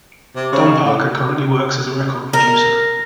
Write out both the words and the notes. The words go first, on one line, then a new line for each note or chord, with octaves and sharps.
Dan Parker currently works as a record producer.
C3
C#3
A2
A#4